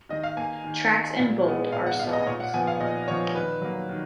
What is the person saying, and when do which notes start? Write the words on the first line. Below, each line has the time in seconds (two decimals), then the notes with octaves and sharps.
Tracks in bold are songs.
0.09 D#3 D#5
0.23 F5
0.37 A#3 G#5
0.64 D#3
0.91 A#3
1.19 A#2
1.45 G#3 B3
1.72 A#2 F5
1.86 F#5
1.99 G#3 F5
2.03 B3
2.13 D#5
2.26 A#2 C#5
2.40 F#5
2.54 F3 B3 G#5
2.67 F5
2.80 A#2 D#5
3.08 F3 B3 C#5
3.35 D#3 B4
3.61 F#3 A#3
3.89 D#3